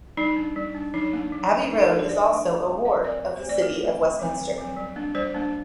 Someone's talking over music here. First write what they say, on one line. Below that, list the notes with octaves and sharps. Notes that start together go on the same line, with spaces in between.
Abbey Road is also a ward of the City of Westminster.
G3 D#4
D4
G3
D4
F#3 D#4
A#3 D4
F#3
A#3 D4
F#3 D#4
A#4
A3 D4 A4
C5
F#3 D5
A3 D4
F#3
C4
F#3 D#5
C4 D5
F#3
C5
A3 C4
D5
F#3 A#4
A3 C4
D#3
F#3 C4
D#3
F#3 C4
G3
A#3 D4
G3 C5
A#3 D4